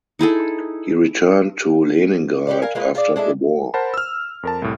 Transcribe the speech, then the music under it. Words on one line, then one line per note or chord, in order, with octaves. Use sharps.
He returned to Leningrad after the war.
D#4 E4 G#4 A4
G4 B4 D5
A#4 F5 G#5
G#3 A#3 F4 B4
F4 G#4 D5
G#3 D4 E4 A4
A#4 C5 F#5 A5 B5
E6 F6
F2 A#4 A5
C2 A2